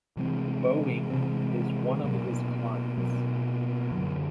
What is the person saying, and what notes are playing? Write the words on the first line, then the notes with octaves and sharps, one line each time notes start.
Boeing is one of his clients.
C3 E3 G#3 C4
C3 E3 G#3 C4
B2 F#3 A#3
B2 F#3 A#3
F#2 D3 F#3